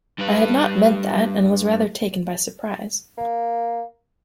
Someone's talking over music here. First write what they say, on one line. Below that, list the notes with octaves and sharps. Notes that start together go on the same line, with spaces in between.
I had not meant that, and was rather taken by surprise.
G2 B4
A#3